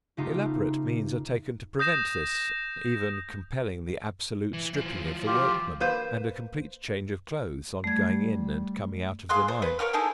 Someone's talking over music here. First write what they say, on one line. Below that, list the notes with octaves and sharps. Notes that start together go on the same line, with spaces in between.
Elaborate means are taken to prevent this, even compelling the absolute stripping of the workman, and a complete change of clothes on going in and coming out of the mine.
C#3 A3 B3 D#4 F4 G4
D#6 G6 A#6 E7
E3
E3 F3
F4 G4
A#3 B4 C5
G3 A3 G#6
G#4 F5 C6 F#6
C5
B4
A#4 C#5 F5 F6
D#4 E4 G#4 A4